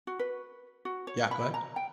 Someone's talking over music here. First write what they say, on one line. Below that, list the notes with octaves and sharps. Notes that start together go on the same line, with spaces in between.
Yeah, go ahead.
F#4
B4
F#4
C#5
B5
A#5
G5